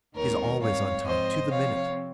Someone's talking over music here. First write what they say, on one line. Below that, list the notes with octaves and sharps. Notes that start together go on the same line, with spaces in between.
She's always on time, to the minute.
D#2 D#3 G#3 C4 A#4 C#5
G#2 G3 C4 C#5 F5
G#2 F3 C4 C5 D#5
C3 F3 C4 C#5 F5